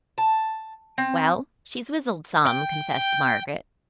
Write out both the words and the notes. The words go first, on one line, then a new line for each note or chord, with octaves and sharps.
"Well, she's wizzled some," confessed Margaret.
A5
C4
G5